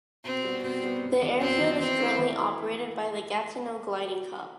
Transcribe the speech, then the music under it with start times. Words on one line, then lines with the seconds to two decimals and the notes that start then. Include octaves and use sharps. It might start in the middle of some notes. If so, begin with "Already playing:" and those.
The airfield is currently operated by the Gatineau Gliding Club.
0.24 B2 C4
0.43 G3 B3 F#4
0.62 B2 C4
0.83 G3 B3 F#4
1.02 F#2
1.21 E3 B3 D4
1.40 F#2 C4
1.60 E3 B3 D4
1.79 E3 C4
1.99 A3 E4 G4
2.18 E3